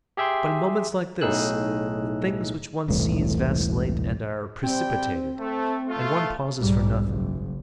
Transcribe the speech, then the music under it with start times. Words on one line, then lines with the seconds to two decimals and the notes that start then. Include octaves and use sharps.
But in moments like this, the things which one sees vacillate and are precipitated, and one pauses for nothing.
0.17 G4 G#4 E5 G5 C6
1.21 B1 A2 D#4 G#4 E6 F#6
2.88 E1 C2 A2 E3
4.63 G3 C4 G5
5.39 A3
5.88 A3 F4
6.60 B1 G#2 G3
7.00 F#1